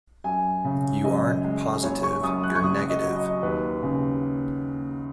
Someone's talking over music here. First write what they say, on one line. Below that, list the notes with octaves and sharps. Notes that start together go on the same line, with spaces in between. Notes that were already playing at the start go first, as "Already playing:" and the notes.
You aren’t positive, you’re negative.
F#2 G#5
C#3
F#2 D#5
G#3
F#1 C#5
C#6
F#2 D#6
F#6
C#6
F#1 D#6
D#5
F#3
D#5
D#2 B4
C#3